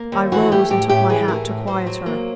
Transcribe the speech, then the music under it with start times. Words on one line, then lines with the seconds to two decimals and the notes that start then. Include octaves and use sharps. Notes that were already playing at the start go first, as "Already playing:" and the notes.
I rose and took my hat to quiet her.
Already playing: A#3
0.12 D#2
0.32 E3 F#4
0.52 A3 G4
0.70 A2 G4
0.89 A2 G4
1.09 E3 G#4
1.28 A3 A#4
1.48 A2
1.67 A2 C5
1.87 F#3
2.06 A#3